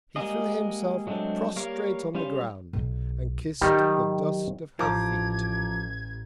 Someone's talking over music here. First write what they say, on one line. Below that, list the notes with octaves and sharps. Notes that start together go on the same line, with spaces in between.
He threw himself prostrate on the Ground, and kiss'd the Dust of her Feet.
G3 G#3 A#3 G#4 D#5
F#3 G#3 A3 C4 D4
G3 A#3 A#4 C#5 F5
G3 C#4 C5 F5
B1
D#3 F#3 G3 D#4
A1 F3 A#5 D6 G#6